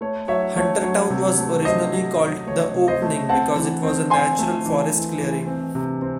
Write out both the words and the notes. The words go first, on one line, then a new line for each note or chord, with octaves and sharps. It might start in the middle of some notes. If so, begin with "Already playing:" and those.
Huntertown was originally called "The Opening" because it was a natural forest clearing.
A3 C#5
F#3 C#5 E5
A3 C#5
F#3 C#5
C3
A3
F#3 C5 D#5
F#3
F#3
A3 C#5
C3
C5 D#5
A3
C4 F#5 A5
E3
C4
C4 G#5 C6
A3
E3
E3
E3
C4
C3
C4